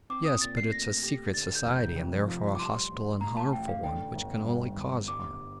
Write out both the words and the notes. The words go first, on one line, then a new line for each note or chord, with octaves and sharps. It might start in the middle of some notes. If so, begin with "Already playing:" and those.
"Yes, but it's a secret society and therefore a hostile and harmful one which can only cause harm."
C4 D6
D#6
A#2 A6
C7
A3 A#6
G4
D3 A6
G6
F1
G6
F2
F3
D6
G3 C6
A1
A2 A#5
A5
A1 G5
F5
D3 G5
G1
G2
G1
G3 D6